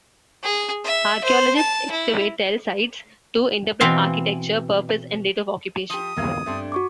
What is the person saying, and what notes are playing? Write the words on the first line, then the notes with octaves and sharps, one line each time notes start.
Archaeologists excavate tell sites to interpret architecture, purpose, and date of occupation.
G#4
E5
C5
A5
E4
B2 E3 C4 F5
F3 G4 D#6
E1 D#2 C3 A#3 F5 G#6
G2 A3 C4 D4
F#4 C#6 D6